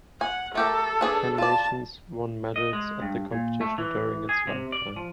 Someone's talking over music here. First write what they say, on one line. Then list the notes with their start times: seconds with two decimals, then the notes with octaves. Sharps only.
Ten nations won medals at the competition during its lifetime.
0.21 F#5 G#5
0.55 A3 G4 A4 A#4
1.01 D4 G#4 B4
1.38 F4 D5 A5
2.56 D#5
2.73 G#3
3.02 G2
3.32 A#2
3.61 A3
3.78 E3
4.29 G#4
4.47 C3
4.72 D5
4.96 F3